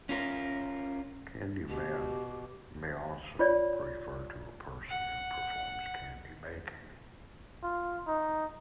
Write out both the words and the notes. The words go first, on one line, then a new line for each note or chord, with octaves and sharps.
Candyman may also refer to a person who performs candy making.
C#4 F4 A#4
B2 G4
F4 C#5 D5
F#5
F4
D#4